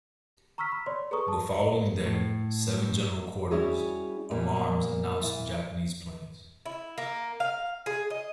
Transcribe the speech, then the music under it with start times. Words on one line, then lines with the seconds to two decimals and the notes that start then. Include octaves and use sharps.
The following day seven general quarters alarms announced Japanese planes.
0.58 A#5 C#6 E6 F6 B6
0.72 B5
0.86 C#5 D5 C6
1.11 G#4 A4 B4 A#5 C#6 D#6
1.28 A5
2.06 A2
3.51 G3 C#4 E4 F#4 G#4
4.31 A#2 G3 A#3 B3
5.20 A#2 E3
6.66 E4
6.98 A#3
7.40 F5
7.86 G#4
8.10 D#5